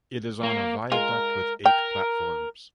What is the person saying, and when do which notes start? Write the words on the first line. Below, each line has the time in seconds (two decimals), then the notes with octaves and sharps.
It is on a viaduct with eight platforms.
0.43 A#3
0.92 G#3 F4 A#4
1.66 A#4 G5